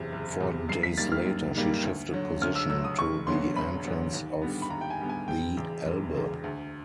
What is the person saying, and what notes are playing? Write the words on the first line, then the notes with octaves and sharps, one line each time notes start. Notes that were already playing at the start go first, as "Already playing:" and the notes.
Four days later she shifted position to the entrance of the Elbe.
Already playing: F#1 E2 C3
F#1
E2 C3
F#2 C7
B6
D#3 G3 A#3 A6
F6
F#2
D#3 G3 A#3
D2
D3 F#3
D2 F6
E6
D3 F#3 E6
D#6
E1 C#6
D2 D3 F#3 B3 C6
E1 B5
D2 D3 F#3 B3
D#2
D3 G3 B3
B5
D#2 A#5
G5
G#5
D3 G3 B3
G#5
E1 G5
E2 C#3
E1
E2 C#3
D2